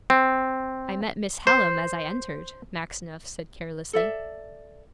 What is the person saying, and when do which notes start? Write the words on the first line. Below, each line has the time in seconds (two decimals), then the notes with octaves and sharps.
'I met Miss Hallam as I entered,' Maxineff said carelessly.
0.10 C4
1.47 C5
3.93 A4 D5 E5